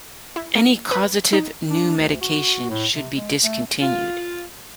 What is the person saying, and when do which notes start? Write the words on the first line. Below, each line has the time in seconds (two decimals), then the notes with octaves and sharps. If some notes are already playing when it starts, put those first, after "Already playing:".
Any causative new medication should be discontinued.
0.36 E4
0.55 A#3
0.91 B4
1.33 D#4
1.70 D4
1.97 D2
2.21 F#4
2.70 A2
2.94 C3
3.15 G#3
3.43 A3
3.82 F4